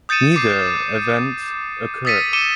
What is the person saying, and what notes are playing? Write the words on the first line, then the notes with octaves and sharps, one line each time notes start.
Neither event occurred.
D#6 G6 A6 C#7 D#7 E7
D6 C7
D#6 E6 A6 B6 C#7 D#7
D6 C#7 D#7 E7 G7